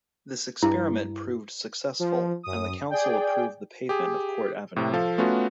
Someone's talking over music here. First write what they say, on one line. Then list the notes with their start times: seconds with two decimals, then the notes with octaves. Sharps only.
This experiment proved successful, and the council approved the pavement of Court Avenue.
0.62 G2 E4
1.99 F3
2.43 F#2 D#6
2.90 G#4 D5 G5
3.89 G4 G#4
4.76 A2 C3
4.93 F3 A4 F5
5.18 A3 B3 C#4 F4 F#4